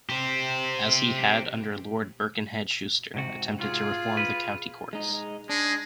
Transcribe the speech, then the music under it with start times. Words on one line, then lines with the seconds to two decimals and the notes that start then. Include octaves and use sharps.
As he had under Lord Birkenhead Schuster attempted to reform the County Courts.
0.10 G4 C5
3.14 G#2 C3 F#4
3.58 F4 G#4
4.17 B4
4.93 G#3 D#4
5.49 G#3 D4